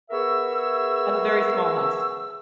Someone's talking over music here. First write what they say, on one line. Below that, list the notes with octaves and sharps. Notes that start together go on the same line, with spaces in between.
I have a very small house.
B3 G#4 A#4 E5 C#6 E6